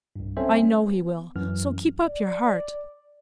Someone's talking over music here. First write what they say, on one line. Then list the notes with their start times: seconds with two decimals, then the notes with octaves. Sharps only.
I know he will; so keep up your heart.
0.16 C2 G2
0.37 G3 C4 C#4 A4 C5 E5
0.65 B3
1.36 F#2 E3 F6
2.06 D5